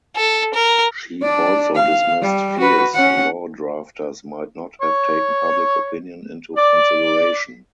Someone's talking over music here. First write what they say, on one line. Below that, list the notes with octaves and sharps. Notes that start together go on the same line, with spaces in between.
She also dismissed fears law drafters might not have taken public opinion into consideration.
A4
A#4
D4 D5
F5
G3
F#4 B4
C#4 F#5
C#5 C#6
D5